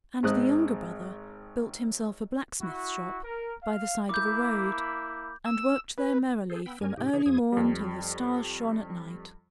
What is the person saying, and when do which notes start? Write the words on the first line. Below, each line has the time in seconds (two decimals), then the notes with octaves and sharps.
And the younger brother built himself a blacksmith's shop by the side of a road and worked there merrily from early morn till the stars shone at night.
0.23 G#1 G#2 C4 D#6 F#6
2.61 E4 F#4
3.24 A#4
3.62 F5
4.09 A#3 E4 B5 D6 G6
5.46 E6
5.98 B4
6.50 G#4 A4 C5
6.66 B3 G5 B5 E6
6.81 G2 C#4 A#4 G#5
6.97 G#2 C3 D#4 G4
7.13 C#3 E3 D#4 G#4 C#5
7.26 F2 F3 G#4 D#6 G#6
7.52 F2 G3